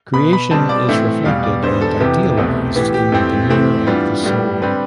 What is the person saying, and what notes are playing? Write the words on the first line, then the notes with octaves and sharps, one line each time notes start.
Creation is reflected and idealized in the mirror of the soul.
B2 B3 B5
B5
B2 G3 C4 A5
D5
A2 E3 A3 C4 E5
E2 B2 G3 F5
D5
E2 D3 G3 B3 C5
A4
F2 C3 E3 B3 G4
C2 B2 A3 C4
A2 E3 B3 G4
G4
F2 E3 A3 C4
A2 E3 A3 C4
G2 E3 G3 B3 F4
A2 G3 B3
D3 G3 C4 B4